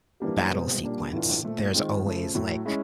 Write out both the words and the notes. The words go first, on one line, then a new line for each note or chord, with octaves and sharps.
battle sequence, there's always, like,
E3 G3 A#3 D4 G4
B2 G#3 C4
A#2 G3 A#3 D4
A2 E3 A3 D4 F4
A#2 F3 A3
D#3 G#3 C4 F4
C#3 F3 A3
A2 F#3 A3
G#3 C#4 E4